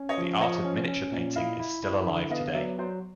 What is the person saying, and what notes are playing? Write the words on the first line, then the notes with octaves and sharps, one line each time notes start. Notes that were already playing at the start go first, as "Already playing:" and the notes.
The art of miniature painting is still alive today.
Already playing: C#4
C#5 D#5
F3
F3 C#5 D#5
C#4
C#4
A#2
E4 D#5 F5
E4
E4
D3
B3 D#5 F5
F5
F#3 D5 E5
F#3 C5 D5